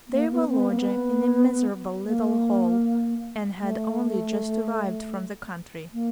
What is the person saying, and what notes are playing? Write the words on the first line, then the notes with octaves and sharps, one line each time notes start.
They were lodging in a miserable little hole and had only just arrived from the country.
A#3
B3
C4
B3
A#3
B3
A#3
A3
A#3